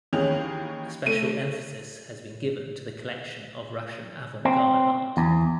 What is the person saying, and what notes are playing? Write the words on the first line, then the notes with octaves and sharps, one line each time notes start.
A special emphasis has been given to the collection of Russian avant-garde art.
D#2 D#3 E3 C#4 G#4 F7
A3 D#7
C4
E2